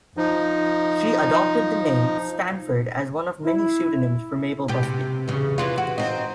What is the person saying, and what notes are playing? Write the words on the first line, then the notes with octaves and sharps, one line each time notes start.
She adopted the name Stanford as one of many pseudonyms for Mabel Busby.
F3 D#4
E4
B2 G4
C3
E2 C#3
C3 E3 F4
F#4
C4 D#4